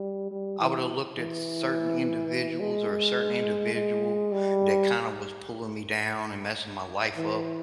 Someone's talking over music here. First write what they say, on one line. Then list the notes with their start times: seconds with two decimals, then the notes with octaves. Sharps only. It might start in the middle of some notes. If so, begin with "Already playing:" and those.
I would've looked at certain individuals or a certain individual that kinda was pulling me down and messing my life up
Already playing: G3
0.31 G3
0.60 E3
1.17 E3
2.60 G#3
3.75 G#3
4.32 G3
7.17 E3